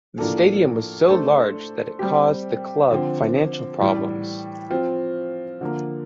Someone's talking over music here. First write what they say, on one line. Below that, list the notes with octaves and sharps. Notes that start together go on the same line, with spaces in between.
The stadium was so large that it caused the club financial problems.
A2 F3 A#3 D4 A4
A3 D4 A4 C5
G3 C4 G4
D3 F3 C4
A2 E3 G3
F3 C4 F4
D3 F3 A#3